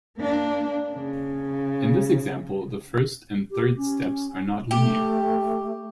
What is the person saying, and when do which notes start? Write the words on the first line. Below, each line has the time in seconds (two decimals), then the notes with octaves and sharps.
In this example, the first and third steps are not linear.
0.18 A#3 D4
0.94 C#3
3.51 G4
3.77 C#4
4.71 A3 G4